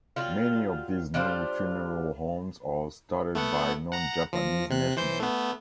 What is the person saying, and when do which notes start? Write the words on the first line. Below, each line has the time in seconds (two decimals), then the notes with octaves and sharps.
Many of these new funeral homes are started by non-Japanese nationals.
0.16 F#3 G3 F4
1.14 G3 D4 F4 C5
3.35 A3 B3 F#5
3.92 F#5 A#5
4.33 F3 A#6
4.70 C3 F#6
4.96 E3 C5 G6
5.20 A3 B3